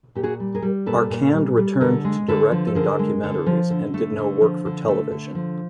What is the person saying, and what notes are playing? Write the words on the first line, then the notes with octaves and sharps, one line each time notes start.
Arcand returned to directing documentaries and did no work for television.
A#2 G4
F#4 G#4
G3
G#4 A#4
G3
A#2 A4 B4
A#2
G3
G3
D3 G#4 A#4
G#3
D3 A4 B4
F3
A4
D3 G#4 A#4
G#3
D3
F3
D3
A3
D3
F3
D3
A3
D3
F3